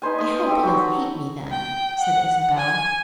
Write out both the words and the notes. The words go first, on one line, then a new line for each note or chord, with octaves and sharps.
"I hope he'll hate me then," said Isabel.
D#4 B4 C5 G#5
D#6
C4 G4 A4
F#3 F#4 B5
G5
F#5
G#5